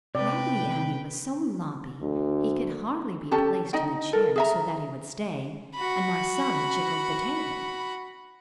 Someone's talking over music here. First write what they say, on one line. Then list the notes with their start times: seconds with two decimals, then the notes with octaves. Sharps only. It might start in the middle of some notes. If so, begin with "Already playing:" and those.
Raggedy Andy was so loppy he could hardly be placed in a chair so that he would stay, and Marcella jiggled the table.
0.15 C3 B4 D5 G5
2.02 D2
3.31 C#4 G4 A4 A5
3.73 D#4 D#5 G5
4.13 A4 A#4
4.36 G#4 E5 A#5
5.75 F#4 B5